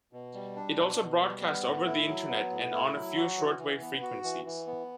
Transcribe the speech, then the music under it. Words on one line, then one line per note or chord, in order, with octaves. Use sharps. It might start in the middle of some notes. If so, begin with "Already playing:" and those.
It also broadcast over the Internet and on a few shortwave frequencies.
B2
G3
D4
B2
B2
G3
B3
A2
E4
F#3
B3
A2
E4
F#3
F#4
E3
E3
B3
F#4
E3
E3
B3